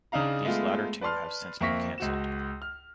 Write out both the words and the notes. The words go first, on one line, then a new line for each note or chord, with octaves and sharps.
These latter two have since been canceled.
C#3 D4 D#4 F5 A#5
G#3 A3 B3 F4
B4 D5 A5 C6 F6
F2 A#3 E5 C#6 A#6 B6
C#2 F#4 E7
F6